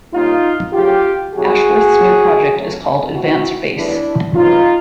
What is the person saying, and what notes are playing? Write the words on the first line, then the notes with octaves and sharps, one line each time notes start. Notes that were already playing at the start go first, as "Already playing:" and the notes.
Ashworth's new project is called Advance Base.
A#2 G3 A#3 C#4 D#4 F4
D2 C#3 F#3 F4 G4
D2 C3 D#3 F#3 F#4 G#4
A#2 F3 A#3 C#4
F2 D3 F#3 A3 C#4
A2 F3 G#3 B3 E4 F#4
D2 C#3 E3 G3 B3 D4 E4
F2 C#3 F#3 B3 D#4 F4